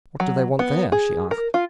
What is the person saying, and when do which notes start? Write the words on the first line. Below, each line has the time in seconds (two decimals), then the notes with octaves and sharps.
"What do they want there?" she asked.
0.20 F#3
0.59 B3
0.92 G#4
1.31 A#4
1.54 F4